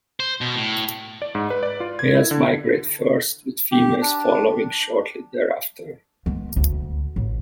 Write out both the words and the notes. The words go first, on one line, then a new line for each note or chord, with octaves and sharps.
Males migrate first with females following shortly thereafter.
C5
B2
A2
D5
G#2
B4
D5
F4
G#6
E4
D3
G4
D4
G#3 B3
D2
A1